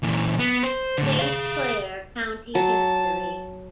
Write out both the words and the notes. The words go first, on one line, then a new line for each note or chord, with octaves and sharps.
Saint Clair County History.
A#2 E3
B3
C5
A2 D3
G#4 F5
F#3 A5